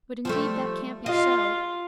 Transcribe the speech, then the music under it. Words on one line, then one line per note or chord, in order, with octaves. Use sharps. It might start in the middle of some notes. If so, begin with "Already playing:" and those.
But indeed that can't be so.
F3 G3 A3
F4 D#5